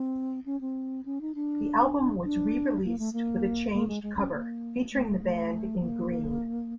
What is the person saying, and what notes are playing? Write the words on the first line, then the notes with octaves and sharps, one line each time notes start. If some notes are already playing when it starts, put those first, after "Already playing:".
The album was re-released with a changed cover, featuring the band in green.
Already playing: C4
C#4
C4
C#4
D#4
D4
D4
A#3
A3
A#3
A#3
G#3
G#3
C#4
A#3
A3
A3
A3
A#3